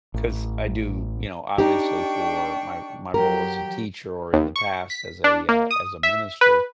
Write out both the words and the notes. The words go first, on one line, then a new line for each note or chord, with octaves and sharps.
'Cause I do, you know, obviously for my my role as a teacher or in the past as a, uh as a minister
A1
D4 D#4 G4 G5 C#6
F#3 G4 A#4 G5
D#2
C#6
B6
D4
A#3
D#6
E5
B4